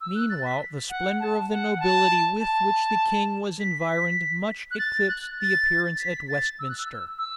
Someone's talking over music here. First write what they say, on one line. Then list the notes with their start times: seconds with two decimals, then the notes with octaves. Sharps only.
Meanwhile the splendor of the nobility with which the king was environed much eclipsed the appearance at Westminster.
0.01 E6
0.15 F#6
0.30 A6
0.45 B6
0.89 F#5
1.20 A5
1.50 F#5
1.75 F#5
1.80 A5
2.40 A5
3.60 B6
4.71 F#6
4.78 A6
5.02 A6
5.09 F#6
5.39 A6
5.95 A6
5.99 B6
6.28 A6
6.59 E6
6.68 F#6
6.77 E6
7.18 E6